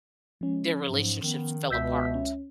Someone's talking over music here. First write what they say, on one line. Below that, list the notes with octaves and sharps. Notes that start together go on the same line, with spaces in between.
their relationships fell apart
F3 G#3 C#4
G#2 F#3
D#3 B3
C#2 B2 E5 E6 G6 B6
C#4